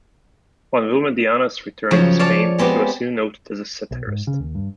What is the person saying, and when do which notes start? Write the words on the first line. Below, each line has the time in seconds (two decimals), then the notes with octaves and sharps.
On Villmediana's return to Spain, he was soon noted as a satirist.
1.91 C#3 F3 F#3 C#5
2.19 C#5 D5 F5 A5
2.58 G#3 B3 C4 G4
3.91 B1
4.07 G#2
4.27 C#3
4.39 D#2
4.55 G2